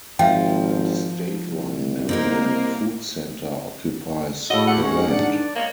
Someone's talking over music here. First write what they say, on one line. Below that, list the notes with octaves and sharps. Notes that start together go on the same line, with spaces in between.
The State-run Maryland Food Center occupies the land.
G#1 F3 E5 F5 G5
C2
A#3 C4 D#4 A#4
A2 F#4 G#4 D#5 B5 E6
E4 F4 G4 F#5
D#3 G#3 C#4 F#4 G4 C#6
D4 D5
G#3 A#3 B3 C#5